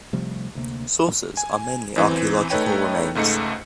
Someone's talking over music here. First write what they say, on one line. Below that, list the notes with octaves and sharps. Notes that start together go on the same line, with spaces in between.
Sources are mainly archaeological remains.
C3 F3 G3 A3
D2 C3 A#3
G#5
E2 E3 C4
A3 D#4 B4 C#5 G5
C#2 G#2 A3 D#4 C#7